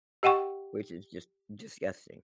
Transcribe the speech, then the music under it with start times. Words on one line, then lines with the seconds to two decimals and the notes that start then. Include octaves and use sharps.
Which is just, disgusting.
0.23 G4 D#5 F#5 G5 C#6